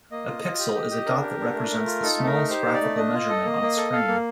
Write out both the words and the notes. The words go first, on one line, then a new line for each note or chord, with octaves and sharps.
A pixel is a dot that represents the smallest graphical measurement on a screen.
A#3 D#5
F4
F4
G4
G4
G4
D4 A#4
G4
D4
A3
A3
F4
D#4 A4
A3
A#4
D#4
G4 C5
D#4
D5
A3
D4 D#5
F4
A4
A#3
A#3
A4
A4 F5
A#3